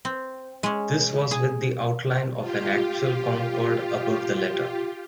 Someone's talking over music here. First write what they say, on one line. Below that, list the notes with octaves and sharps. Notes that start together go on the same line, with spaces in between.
This was with the outline of an actual Concorde above the letter.
C4
G#3 C#4
G#4
F4 G4